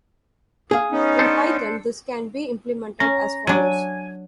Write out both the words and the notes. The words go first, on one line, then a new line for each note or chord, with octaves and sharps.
In Python, this can be implemented as follows.
G#4 F5
B3 C#4 D#4
D4 A4 C5
C#4 A#5
F#3 D4 G#5